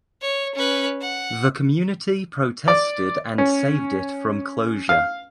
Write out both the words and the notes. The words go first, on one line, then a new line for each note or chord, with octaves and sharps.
The community protested and saved it from closure.
C#5
C#4 B4
F#5
D5
C#4
F5